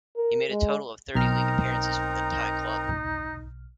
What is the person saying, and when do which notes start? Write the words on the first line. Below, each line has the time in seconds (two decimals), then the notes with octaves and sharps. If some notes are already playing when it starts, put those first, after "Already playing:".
He made a total of thirty league appearances for the Thai club.
0.16 A#4
0.49 G#3
1.15 B1 C4 D#4 A#4 A#5 F6